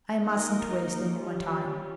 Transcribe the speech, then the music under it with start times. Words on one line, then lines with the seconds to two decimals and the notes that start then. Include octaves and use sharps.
I mustn't waste any more time.
0.22 A#3 D#4 A#4 D#5
1.13 G3 C#4 F4